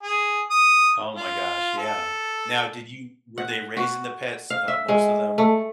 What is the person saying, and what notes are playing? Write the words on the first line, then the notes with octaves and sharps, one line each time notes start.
Oh my gosh, yeah. Now, did you were they raising the pets, uh most of them
G#4
D#6
F4
A4
F#5
F#4
F5
E5
G#3
A3